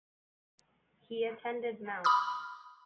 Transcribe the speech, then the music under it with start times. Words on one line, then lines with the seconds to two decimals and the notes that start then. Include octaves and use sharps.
He attended Mt.
2.04 B5 D6 D#6 F6